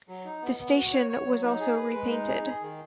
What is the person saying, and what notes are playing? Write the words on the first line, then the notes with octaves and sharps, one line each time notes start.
The station was also repainted.
F#3
D#4
B3
B3
F#4
C#5
C#5
F#3
D#4
G#4
B4
G#3
D#4
G#4
G#4
D#3